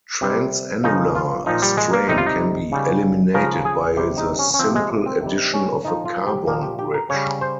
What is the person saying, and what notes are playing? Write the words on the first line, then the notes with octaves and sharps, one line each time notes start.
Transannular strain can be eliminated by the simple addition of a carbon bridge.
C3 G3
C#3 F3 D#4
F4
A#2 F3 D#4
G3
G#3
A#3
C3 G3 D#4
F4
D#4
C#3 G3
C#3 F3 A#4
G#4
C3 G3 G4
D#4
C#4
C#4
C3 F3 C4
G#3
C4
C3 D#3 G3
C#4
A#2 F3 D#4
F4
G4
A#2 F3 A#3
G4
G4
A#4
C#3 G3 C#5
C5